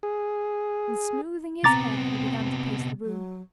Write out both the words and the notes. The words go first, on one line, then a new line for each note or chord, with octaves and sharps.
And smoothing his hair he began to pace the room.
G#4
C3 B3 C4 A#5 D6 A6
F#3